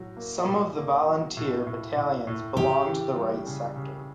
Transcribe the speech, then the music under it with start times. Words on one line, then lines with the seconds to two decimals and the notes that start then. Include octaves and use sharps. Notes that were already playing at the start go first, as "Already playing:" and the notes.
Some of the volunteer battalions belong to Right Sector.
Already playing: A2 F#3
0.17 A#3
0.47 A2
0.77 A#3
1.07 F#3
1.37 A2
1.67 A2
1.96 A2
2.27 A2
2.56 C#3 G4
2.86 E3
3.16 G3
3.47 C#3
3.76 C#3